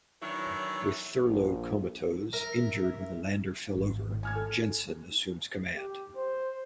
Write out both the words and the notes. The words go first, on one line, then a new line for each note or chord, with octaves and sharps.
With Thurlow comatose, injured when the lander fell over, Jensen assumes command.
D#3 E3 F#3 D4 E4 C#5
A#1
A#4 E5
G#1
A2
G#5 F6 G#6
A4
G4
C5